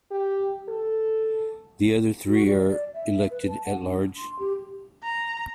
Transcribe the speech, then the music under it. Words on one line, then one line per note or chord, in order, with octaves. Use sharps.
The other three are elected at-large.
G4
A4
F#4
D5
D5
E5
B4
A5
F#5
D4
C6
G4
A#5